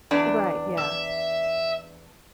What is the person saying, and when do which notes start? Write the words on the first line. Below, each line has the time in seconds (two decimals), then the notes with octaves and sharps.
Right. Yeah.
0.11 E2 D4
0.78 E5